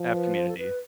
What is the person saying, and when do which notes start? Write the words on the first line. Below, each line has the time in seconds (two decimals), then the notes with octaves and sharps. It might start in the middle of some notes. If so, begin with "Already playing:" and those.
I have community.
Already playing: F3
0.14 B4
0.36 C5
0.49 A4
0.58 B4